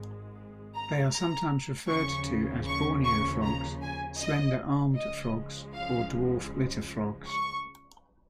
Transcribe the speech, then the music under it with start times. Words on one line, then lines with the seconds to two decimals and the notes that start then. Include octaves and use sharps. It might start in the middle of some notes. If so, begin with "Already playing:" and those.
They are sometimes referred to as Borneo frogs, slender-armed frogs, or dwarf litter frogs.
Already playing: G#1 G#2 G#3
0.75 A#5
1.13 A#5
1.90 D#2 C#3 F3 C#6
2.67 C#6
3.06 C#6
3.44 A#5
3.82 G#5
4.21 D#5
4.97 C#2 C#3 F3 G#3 D#5
5.75 F5
7.28 C#6